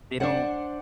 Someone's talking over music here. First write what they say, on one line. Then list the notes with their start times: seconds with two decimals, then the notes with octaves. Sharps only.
they don't,
0.20 D4 C5 F#5